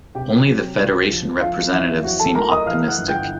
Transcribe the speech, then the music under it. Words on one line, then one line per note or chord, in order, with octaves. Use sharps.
Only the Federation representatives seem optimistic.
C3 G4 G5
F#3
C#2
F3
F3 F4 F5
E2 E5
F#3 F#4 F#5
A4 A5
A3 A#4 A#5
D#5 D#6
E3 F5 F6
F#5 F#6
G1
G5 G6